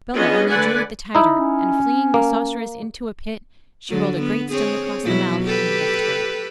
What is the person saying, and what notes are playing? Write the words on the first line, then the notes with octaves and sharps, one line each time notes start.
Bellah only drew it the tighter, and, flinging the sorceress into a pit, she rolled a great stone across the mouth, and left her.
B3 C#4 D4 F4 G#4 D#5
D3 A3 B4 D5 F#5 G#5
D#4 E4
C#4
A#3
D3 F#3
B3
C4 G#4 C#5
B2 F#3 E4
G4 A4 B4